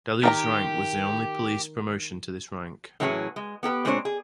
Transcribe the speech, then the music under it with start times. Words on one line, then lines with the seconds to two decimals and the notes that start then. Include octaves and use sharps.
Daluege's rank was the only police promotion to this rank.
0.23 D#3 G4 G5 A#5
3.00 A2 E3 F#3 C#4 F4 G#4
3.36 G#3
3.63 B3 G4 A4 B4
3.85 A#2 G#3 C4 D4 C5 C#5
4.05 G#4